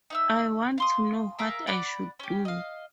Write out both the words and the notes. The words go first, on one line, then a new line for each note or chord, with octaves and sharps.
I want to know what I should do.
D#4 E5 E6
F5 C6 D#6
G#4 A#4 E5 F5
D5 F#5 B5 D6
C#4 G4
D#5 F5